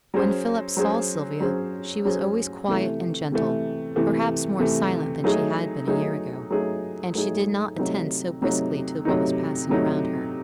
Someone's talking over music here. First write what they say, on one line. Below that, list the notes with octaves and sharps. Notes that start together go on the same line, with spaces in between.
When Philip saw Sylvia she was always quiet and gentle; perhaps more silent than she had been a year ago, and she did not attend so briskly to what was passing around her.
F#3 C#4 G#4 C5
F#3 C#4 G#4 C5
F#3 C#4 G#4 C5
F#3 C#4 G#4 C5
C3 E3 A3
C3 E3 A3
C3 E3 A3
C3 E3 A3
F#3 A3 D#4 G#4
F#3 A3 D#4 G#4
F#3 A3 D#4 G#4
F#3 A3 D#4 G#4
C3 F#3 A3 D#4
C3 F#3 A3 D#4
C3 F#3 A3 D#4
C3 F#3 A3 D#4